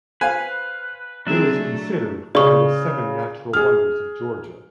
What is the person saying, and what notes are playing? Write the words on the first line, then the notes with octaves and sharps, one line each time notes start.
It is considered to be one of the Seven Natural Wonders of Georgia.
B4 C5 F5 G#5
F#3 C4 D4 G#4 E5
A3
C#3 D5 C#6
G#4 F6